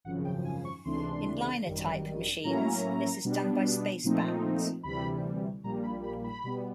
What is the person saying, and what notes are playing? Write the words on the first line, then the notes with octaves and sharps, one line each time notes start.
In linotype machines this is done by spacebands.
G#1 F#2 C#3 F3 F#5
G5
G#5
C#6
C#2 C3 E3 A3 D4 C6
G#1 F#2 D#3 G3
A2 F#3 A#3 C#4 E4 A#5
B2 G3 B3 D4
A#2 F3 A3 C4 D#4
D2 C3 E3 G3 B5
A#1 A#2 G3 A#3 A#5
B5
B5
B5
B2 G3 B3